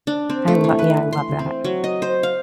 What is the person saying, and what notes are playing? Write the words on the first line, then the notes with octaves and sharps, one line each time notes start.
I lo yeah, I love that.
D4
C4
A3
E3
B4
C6
C4
F#3
D#5
C5
F5